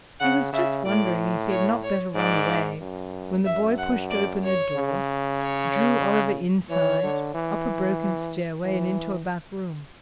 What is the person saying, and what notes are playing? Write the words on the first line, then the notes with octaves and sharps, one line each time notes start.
He was just wondering if he had not better run away when the boy pushed open a door, drew Oliver inside, up a broken stairway and into a back room.
C#3 F#5
C#3 E5
A2 D5
C#5
C#5
G#2 D5
F#2
F#2 E5
F#5
D5
C#5
C#3
C#5
E3 C#5
D3
E3
E3